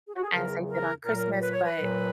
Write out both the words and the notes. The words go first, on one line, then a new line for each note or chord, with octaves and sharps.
as they did on Christmas, but
G#4
F#4
G#4
E2 C#3 F#3 A#4
A#4
A#2 F#3 A#4
B4
C#5
B4
A#2 F#3